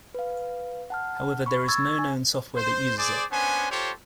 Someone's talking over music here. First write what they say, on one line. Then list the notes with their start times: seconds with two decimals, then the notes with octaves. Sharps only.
However, there is no known software that uses it.
0.15 B4 F5
0.90 F#5 A5 F6
1.46 B5 C#6
1.68 C#6 E6 G#6 A6
1.99 G#5
2.57 C5
2.98 G#4 C5 D5
3.32 B3 C#4 D4 C5 G#5
3.70 F4 G4 A4 C5 C#5